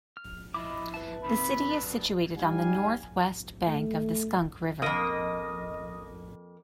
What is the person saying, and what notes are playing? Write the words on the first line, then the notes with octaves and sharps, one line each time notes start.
The city is situated on the northwest bank of the Skunk River.
F6
F3 E4 D#5 B5 D6
B4 E5 A5
C3 D#3 B5
F#2 D4
G3 D#4 F5 G#5
A3
F2 A#3 D#5 D#6 A#6